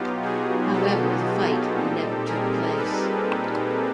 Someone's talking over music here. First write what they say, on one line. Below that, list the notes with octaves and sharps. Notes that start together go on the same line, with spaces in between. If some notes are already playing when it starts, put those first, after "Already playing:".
However, the fight never took place.
Already playing: B2 F#3 B3 D#4 F4 G4
F#4 G#4
G4 A4
A#2 G3 C4 D#4
G#4 A#4
A4 B4